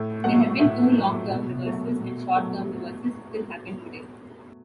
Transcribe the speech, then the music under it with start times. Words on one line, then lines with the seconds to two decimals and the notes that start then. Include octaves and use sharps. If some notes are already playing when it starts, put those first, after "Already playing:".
There have been two long-term reversals, and short-term reversals still happen today.
Already playing: A2 A4
0.24 F#3 A3 F#5
0.59 A2 E5
0.95 F#3 A3
1.30 B2
1.66 F#3 A3
2.00 B2
2.36 F#3 A3